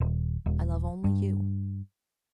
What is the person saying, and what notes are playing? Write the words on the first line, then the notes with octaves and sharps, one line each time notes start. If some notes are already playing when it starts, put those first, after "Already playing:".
I love only you.
D#1
D#1
G2